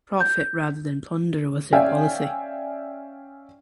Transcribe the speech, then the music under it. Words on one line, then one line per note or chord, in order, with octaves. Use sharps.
Profit rather than plunder was their policy.
G6
C#4 D5 E5 F5 G5 G#5